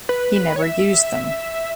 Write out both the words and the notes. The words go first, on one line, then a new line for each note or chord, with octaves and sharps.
He never used them.
B4
B4
C#5
E5